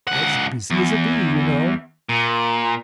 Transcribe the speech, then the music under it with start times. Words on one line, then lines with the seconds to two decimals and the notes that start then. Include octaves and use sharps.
'As busy as a bee,' you know.
0.07 C#2 F#5
0.70 E2
2.09 A#2